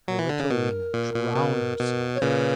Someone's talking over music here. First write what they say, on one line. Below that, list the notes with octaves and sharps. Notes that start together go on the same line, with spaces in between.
Her little Lena drown herself!
F#3
E3
D3
C#3
B2 A#4
A#2
A#2
B2
B2
C#5
A#2 C#3 B4